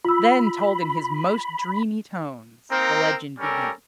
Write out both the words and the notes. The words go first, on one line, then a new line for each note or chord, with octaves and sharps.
Then, told in his most dreamy tones, the legend begins.
F4 B5 E6
A#3 C4 D#4 A#4
G3 C#4 G4 A4 A#4